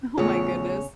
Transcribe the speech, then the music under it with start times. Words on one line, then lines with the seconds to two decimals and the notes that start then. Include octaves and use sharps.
Oh my goodness.
0.18 E2 A2 C#3 F4 G#4 C#5